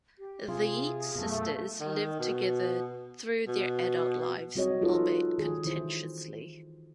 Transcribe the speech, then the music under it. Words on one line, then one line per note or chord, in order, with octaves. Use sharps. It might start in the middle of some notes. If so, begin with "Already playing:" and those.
The Yeats sisters lived together through their adult lives, albeit contentiously.
G4
C3 F4 G#4
F#2 B2 A3
D#3
B2
B2
G3 C4 F#4 G#4 C#5 D#5
D#4 F4 G#4 A4 B4
D#3 G#4
D#3 E3 E4 C5